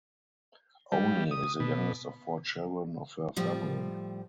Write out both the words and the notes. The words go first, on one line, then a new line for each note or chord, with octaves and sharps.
Oni is the youngest of four children of her family.
G3
D#6
B2
A2 F3 G3